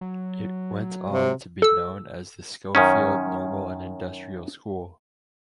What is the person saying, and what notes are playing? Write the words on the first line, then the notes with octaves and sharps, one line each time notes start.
It went on to be known as the Schofield Normal and Industrial School.
F#3
C3
A4 E6
F#2 D#3 C#4